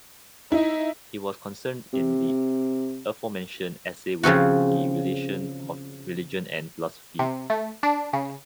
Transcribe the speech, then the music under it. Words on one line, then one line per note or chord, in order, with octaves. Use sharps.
He was concerned in the aforementioned essay with the relation of religion and philosophy.
D#4 E4
C3
C#3 F3 C4 F#4
C3
A3
D4
C#3